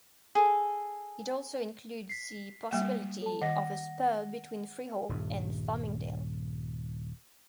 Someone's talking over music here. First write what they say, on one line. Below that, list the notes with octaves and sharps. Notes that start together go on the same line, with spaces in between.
It also includes the possibility of a spur between Freehold and Farmingdale.
G#4 A4
B6 C7
G3 A#3 F#5
A4 A5
D#3 D#5 F#5 A#6
D#1 G2